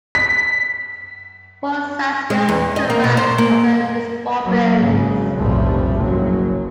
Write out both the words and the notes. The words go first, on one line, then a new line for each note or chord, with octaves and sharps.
Full-size gas turbines often use ball bearings.
B6
G#3
E2
D#5
A#3
B2
C5
A#3
F#3 A#3
G#1 C#3 F#3
F1 B1 A2 F3 G3 A3
F#1 F#3